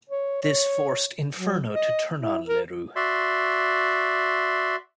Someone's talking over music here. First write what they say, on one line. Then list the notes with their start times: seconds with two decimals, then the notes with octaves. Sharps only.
This forced Inferno to turn on LeRoux.
0.10 C#5
0.43 C#5
1.35 F#3
1.74 D#5
2.20 E4
2.48 A#4
2.96 F#4 D5 E5 C6